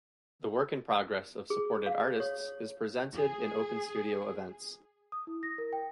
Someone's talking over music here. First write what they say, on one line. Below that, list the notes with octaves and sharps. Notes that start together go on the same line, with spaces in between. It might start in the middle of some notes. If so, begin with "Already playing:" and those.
The work in progress of supported artists is presented in open studio events.
G#4
F5
C#5
G#4
D#6
E4
A#6
A#4
G5